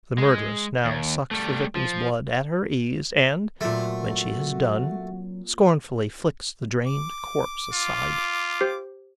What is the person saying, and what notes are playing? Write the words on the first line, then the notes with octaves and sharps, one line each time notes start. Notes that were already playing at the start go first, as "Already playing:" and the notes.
The murderess now sucks the victim's blood at her ease and, when she has done, scornfully flings the drained corpse aside.
G#3
D#2
G3 A3
F3
A#2 F#3 A3 C4 F#4
D6
F4
G4 C5